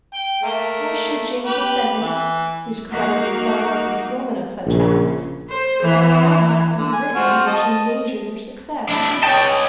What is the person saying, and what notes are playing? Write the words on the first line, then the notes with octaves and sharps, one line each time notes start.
Why should James II., whose credit required the concealment of such acts, have allowed that to be written which endangered their success?
G5
A3 A#3
G4 B4
E3
A#3 D#4 F#4
A#1 C#3
C5
E3
D3
G#5
C4 F4 F#4
D#5 A5
D4 E4
C#5 D#5 G5 A5
G#5